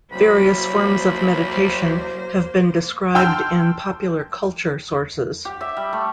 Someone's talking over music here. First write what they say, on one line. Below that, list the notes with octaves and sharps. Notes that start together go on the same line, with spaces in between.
Various forms of meditation have been described in popular culture sources.
C2 F#3 A#3 C5 B5
G5 A5 C6 E6 F6 G6
G4
E5
G3
A3